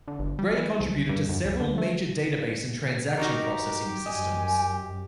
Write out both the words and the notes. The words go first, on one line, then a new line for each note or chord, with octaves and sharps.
Gray contributed to several major database and transaction processing systems.
D3
G1
G3
E3
C2
G2
F#2
C#2
D3
A3
D#4 F#4 G4 A#4
F#2 D#5 G#5